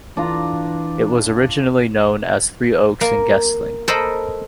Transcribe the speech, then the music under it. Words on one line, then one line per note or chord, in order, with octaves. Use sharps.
It was originally known as Three Oaks and Guestling.
E3 D4 F4 A#5
A#3
A4 A#4 C5 D#5 B5